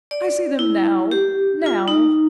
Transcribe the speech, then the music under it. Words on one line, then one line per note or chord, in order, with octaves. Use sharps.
I see them now--now!'
D5
E4
G4
F4
D#4